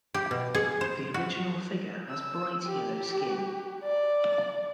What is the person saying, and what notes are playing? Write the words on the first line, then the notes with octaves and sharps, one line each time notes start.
The original figure has bright yellow skin.
G4
B2
G#4
C5
F#4
E6
G4
D5